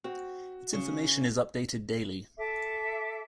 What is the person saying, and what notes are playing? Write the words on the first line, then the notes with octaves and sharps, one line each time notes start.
Its information is updated daily.
C4 F#4
C#3
A4 E5 D6